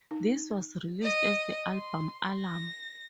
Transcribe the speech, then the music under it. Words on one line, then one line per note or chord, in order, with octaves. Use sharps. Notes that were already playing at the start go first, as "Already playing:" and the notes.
This was released as the album "Alarm".
D#4
D#5
C6
A#6